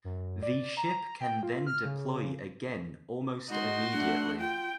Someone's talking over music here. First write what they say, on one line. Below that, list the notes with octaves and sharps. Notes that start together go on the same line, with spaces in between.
The ship can then deploy again almost immediately.
F#2
D5
A#5
G5
F4
F6
C#3
G#3 D#4 F#4 C6
A3 D4 F#5
F4 G5